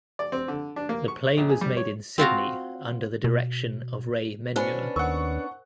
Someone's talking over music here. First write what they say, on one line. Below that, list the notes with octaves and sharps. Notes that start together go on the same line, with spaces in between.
The play was made in Sydney under the direction of Ray Menmuir.
D5
C4
D3
D4
A#3
C#6
A#1
G#4
G3
C#5
C4 F4 F#4 A#5
B2
B2 B3 C#4 D4 C5 G#5 B5
D#2 A#4 F#5 C#6